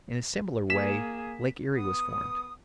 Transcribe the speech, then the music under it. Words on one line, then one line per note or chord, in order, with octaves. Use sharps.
In a similar way Lake Erie was formed.
A#3 G#4 B6 E7
B3 D#6